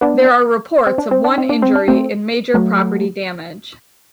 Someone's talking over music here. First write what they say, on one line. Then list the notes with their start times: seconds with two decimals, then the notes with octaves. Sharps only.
There are reports of one injury and major property damage.
0.01 B3 D4
0.87 C4
0.98 D4
1.11 C4
1.24 D4
1.38 C4
1.49 D4
1.62 C4
1.75 D4
1.88 A3 C4
2.54 F#3 A3